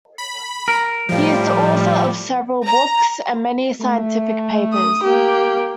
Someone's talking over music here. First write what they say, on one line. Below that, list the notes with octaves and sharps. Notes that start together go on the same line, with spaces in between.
He is the author of several books, and many scientific papers.
B5
A#4
A2 F3 G3
A#5
A3
D#6
A#3 G4